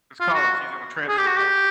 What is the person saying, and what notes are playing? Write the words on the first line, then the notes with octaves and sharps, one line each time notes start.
“this college; he's in the transfer portal."
F4
F#4
G#4
G4
F#4
G4